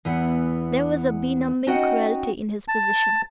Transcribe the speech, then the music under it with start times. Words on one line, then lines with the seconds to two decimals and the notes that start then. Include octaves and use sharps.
There was a benumbing cruelty in his position.
0.05 E2 E3 B3 F#5
1.67 C#4 D#4 F#4 D#5 F#5 G5
2.68 A5